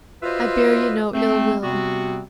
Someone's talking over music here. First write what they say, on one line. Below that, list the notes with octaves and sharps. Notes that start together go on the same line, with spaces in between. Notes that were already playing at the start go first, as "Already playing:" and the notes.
I bear you no ill-will.
F4 F#4 B4 C5 D#5 E5
A3 C4
C3 G3 B3 C4 F#4